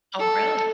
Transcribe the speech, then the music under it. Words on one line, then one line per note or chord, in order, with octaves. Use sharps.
Oh, really?
A4